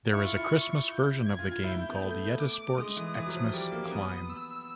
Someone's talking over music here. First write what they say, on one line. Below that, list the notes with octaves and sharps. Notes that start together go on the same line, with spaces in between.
There is a Christmas version of the game called Yetisports Xmas Climb.
E4 C#6
F4
E4
G6
G#6
F4
F4
E4 G6
E4
B3
A3
D6
G#3 D#6
E3
E3
F#3
F3
G3 D6
A#3
A#3
B3 D#6
E6